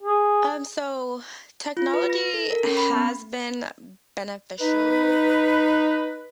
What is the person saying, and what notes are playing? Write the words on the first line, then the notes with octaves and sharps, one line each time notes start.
Um, so technology has been beneficial,
G#4
F4
B4
A#6
A4
A#4
C#4
B5
B3
D#4 B4